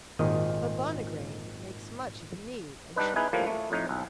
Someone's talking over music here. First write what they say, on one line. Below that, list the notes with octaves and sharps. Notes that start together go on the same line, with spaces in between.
Mabonagrain makes much of Enide, and she of him.
G#1 A#2 D#3 D#5
G2 G3 D4 D#4 B4
D#4 E4 G#4 B4
A2 F3 G3 A#3
A3
F2 A2 D#4
B1